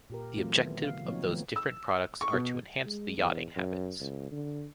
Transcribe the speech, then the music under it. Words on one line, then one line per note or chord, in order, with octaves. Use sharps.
The objective of those different products are to enhance the yachting habits.
A#2 G4 A#4
E3 F#3 A3 C4 F4
D#3 B3
C#3 F5
F3 F#3 A#3 C4 D#4 C#5
D#3 F3 A3 B3
E6
C#6
B2
G#3
E2
F#2
C#2
D3